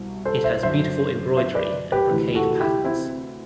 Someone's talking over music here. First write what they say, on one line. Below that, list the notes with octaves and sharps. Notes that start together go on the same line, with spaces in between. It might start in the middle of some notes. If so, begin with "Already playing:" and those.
It has beautiful embroidery and brocade patterns.
Already playing: C2 B2
A4 C5
C5 E5
F#2 D3 C5 E5
C5 E5
B4 D5
G4 B4
D2 C3 E3
F#4 A4
E4 G4
C4 E4